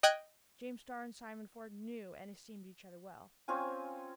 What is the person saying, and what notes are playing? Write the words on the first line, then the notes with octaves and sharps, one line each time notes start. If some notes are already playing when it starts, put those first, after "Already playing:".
James Starr and Simon Ford knew and esteemed each other well.
D#5 G5 F#6 G#6 D7
C4 C#4 F4 G#5